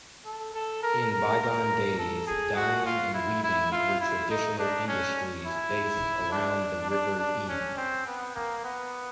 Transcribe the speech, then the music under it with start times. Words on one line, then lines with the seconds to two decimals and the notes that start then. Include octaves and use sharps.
In bygone days, dyeing and weaving were traditional industries based around the River Ehen.
0.25 A4
0.53 A4
0.83 A#4
1.12 A#4
1.41 A#4
1.98 A4
2.27 G#4
2.56 F#4
2.86 F4
3.14 E4
3.43 E4
3.72 F4
4.01 E4
4.30 D#4
4.59 D4
4.88 C#4
5.46 E4
6.32 D4
6.90 D4
7.19 D4
7.48 C#4
7.77 C4
8.06 B3
8.35 A#3
8.64 B3